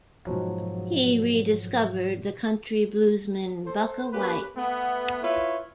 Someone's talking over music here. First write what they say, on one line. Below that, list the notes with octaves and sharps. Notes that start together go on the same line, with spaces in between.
He rediscovered the country bluesman Bukka White.
G#2 B2 F3 F#3
A4 C5
A#3 C#4 G4 B4
A3 B3
E4 F4 B4 C#5 E5